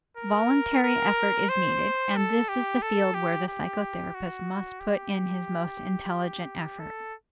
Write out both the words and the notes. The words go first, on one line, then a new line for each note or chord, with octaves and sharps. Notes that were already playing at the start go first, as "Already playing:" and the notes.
Voluntary effort is needed, and this is the field where the psychotherapist must put in his most intelligent effort.
A#4
A#4
C5
A4
G4
A4
G4
G4
F#4
G4
A4